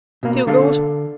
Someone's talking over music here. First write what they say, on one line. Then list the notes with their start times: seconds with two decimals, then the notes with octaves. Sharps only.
'Here goes!
0.23 B2 A#3
0.47 D3 D4 A4 F5